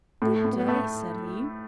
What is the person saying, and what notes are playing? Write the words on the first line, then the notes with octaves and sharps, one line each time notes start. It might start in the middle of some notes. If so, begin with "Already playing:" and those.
"Good day!" said he.
A2 A3
A2
B3
A3